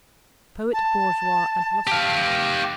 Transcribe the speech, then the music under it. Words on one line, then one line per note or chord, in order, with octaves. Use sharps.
Poet, Bourgeois, and Philosopher.
A5
G4 F5